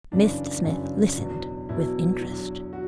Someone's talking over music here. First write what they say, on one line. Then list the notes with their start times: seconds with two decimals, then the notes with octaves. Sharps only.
Mr Smith listened with interest.
0.12 F#2 C#3 E3 D4
0.64 F#2 C#3 E3
1.16 E2 B2 F#3
1.69 E2 B2 F#3 E4
2.21 E2 D3 F#3
2.73 F#4